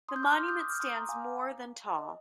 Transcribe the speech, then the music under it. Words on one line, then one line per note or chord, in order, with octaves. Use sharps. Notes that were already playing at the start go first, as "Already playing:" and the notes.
The monument stands more than tall.
C6 D#6
G6
D6 F6
D6 F6
D#6 G6
D#6 G6
D6 F6
C6 D#6
A#5 D6
F5 G#5
D#5